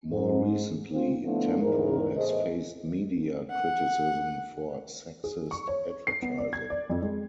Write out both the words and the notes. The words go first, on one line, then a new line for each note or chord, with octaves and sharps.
More recently, Tempo has faced media criticism for "sexist" advertising.
G#2
D2 C4 F4
D3 F3 A3 B3 D4 E4
E2 G#2 A#4
E2 A2 G#4 C5 D#5
F#5
G#4
C#6
C#5
C7
B3
D5
G#6
D5
F2
G#3